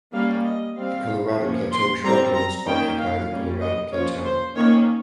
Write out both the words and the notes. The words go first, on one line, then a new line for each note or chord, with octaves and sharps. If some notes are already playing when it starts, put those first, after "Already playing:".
The Colorado Plateau shrublands occupy the Colorado Plateau.
G3 A#3 C#4 F5
D#5
G3 C4 F5
F3 A#3 C#4
C6
G3 C4 A#5
A#5
D#3 A#3 C#4 G5
F5
G3 A#3 C#4
D#5
F3 A#3 C#4 C#5
C5
D#3 A#3 C#4 C#5